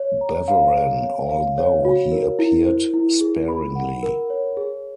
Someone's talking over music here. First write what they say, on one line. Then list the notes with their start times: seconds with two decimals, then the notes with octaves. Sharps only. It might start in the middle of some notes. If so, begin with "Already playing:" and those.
Beveren, although he appeared sparingly.
Already playing: C#5
0.21 A#5
0.48 F5
0.76 G#4
1.03 C#5
1.30 F5
1.58 C#5
1.85 F#4
2.12 A#4
2.39 E4
2.66 C5
2.94 E4
3.21 G#4
3.48 B5
3.75 F#5
4.03 A#4
4.30 C#5
4.57 G#4